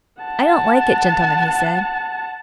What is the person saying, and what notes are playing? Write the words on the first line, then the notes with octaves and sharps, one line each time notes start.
'I don't like it, gentlemen,' he said.
F#5 A5